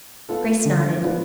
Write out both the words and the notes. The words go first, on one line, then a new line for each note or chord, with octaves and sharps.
Grace nodded.
B3 F4 A4
D3
F3 B3 D4 F4